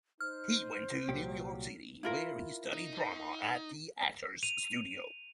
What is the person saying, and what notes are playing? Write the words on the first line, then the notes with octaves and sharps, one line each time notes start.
He went to New York City where he studied drama at The Actor's Studio.
D#4 C5 F6
C2 A#2 F#3 G4
E4 F4 A#4
D#4
D#7 F7